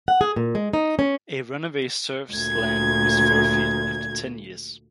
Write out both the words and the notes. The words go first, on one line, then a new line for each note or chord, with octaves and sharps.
A runaway serf's land was forfeit after ten years.
F#5
G#4
A#2
G#3
D#4
C#4
D2 A#2 G#6